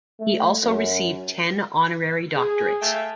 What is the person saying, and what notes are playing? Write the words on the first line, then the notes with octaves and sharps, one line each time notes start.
He also received ten honorary doctorates.
A3
F#2
G#4
A3 E5 F5 G5 G#5